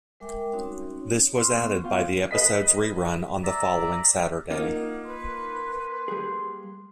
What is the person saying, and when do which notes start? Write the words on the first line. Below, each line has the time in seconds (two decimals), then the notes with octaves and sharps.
This was added by the episode's rerun on the following Saturday.
0.20 G3 G#3 A#4 E5 G5 D6
0.53 C4 C#4 D#4 F#4 C#5
1.35 C6 C#6 E6 F6
1.55 B3 C#6
1.83 B3 F4 F5 G5
2.31 B4 D#5 B6
3.43 D5 E5 A#5
4.51 A#3 D#4 F4 D#5 F#5
5.06 B4 C6
6.08 G3 G#4